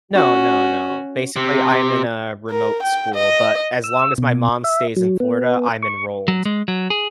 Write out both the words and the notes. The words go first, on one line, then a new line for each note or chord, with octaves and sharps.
No, no, no. Basically, I'm in a remote school, but as long as my mom stays in Florida, I'm enrolled,
C#4 F#4
C3
A#4
G5
D#5
E6
B2
E5
F#3
B3
C#6
F#3
G#3
F#3
G#4